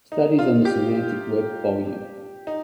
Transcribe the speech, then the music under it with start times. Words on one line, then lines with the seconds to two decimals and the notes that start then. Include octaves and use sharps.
Studies on the Semantic Web Vol.
0.12 D#4
0.39 F4
0.65 G4
2.47 D#4